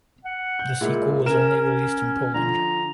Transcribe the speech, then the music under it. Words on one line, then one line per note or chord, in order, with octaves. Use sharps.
The sequel was only released in Poland.
F#5
G6
A#2 G#3 E4
C#4 A#4 E7
C#4
D3 F3 A#5